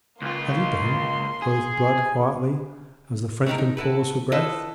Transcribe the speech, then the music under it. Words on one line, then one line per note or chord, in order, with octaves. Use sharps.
"Have ye done?" quoth Blood quietly, as the Frenchman paused for breath.
C#2 A#3 F4 C6
G#4
A3 C4 D#4 F#4 G4 A#4
D#4
E4 F#4 A4 B4
E4 F4 A4 B4 D#5